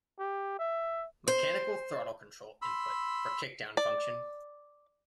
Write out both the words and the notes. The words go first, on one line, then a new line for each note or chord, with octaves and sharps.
Mechanical throttle control input for kick-down function.
G4
E5
C5
B5 C6 E6
D5